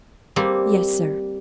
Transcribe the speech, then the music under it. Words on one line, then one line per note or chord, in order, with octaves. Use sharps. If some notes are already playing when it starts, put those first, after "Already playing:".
"Yes, sir."
G3 A#3 C4